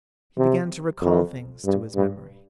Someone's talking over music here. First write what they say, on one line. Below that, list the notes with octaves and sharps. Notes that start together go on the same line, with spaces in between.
He began to recall things to his memory.
C3
F2
G2
G2